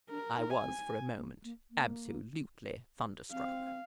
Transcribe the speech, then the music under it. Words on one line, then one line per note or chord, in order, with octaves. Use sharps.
I was for a moment absolutely thunderstruck.
D4 A#4
D#4
G#5
C4
A#3
A#3
A#3
C4 F5